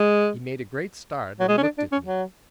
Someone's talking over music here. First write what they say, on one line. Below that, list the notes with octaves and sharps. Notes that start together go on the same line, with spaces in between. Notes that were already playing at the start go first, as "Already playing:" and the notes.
He made a great start and looked at me.
Already playing: G#3
F#3
G#3
C#4
D4
D4
C#4
F#3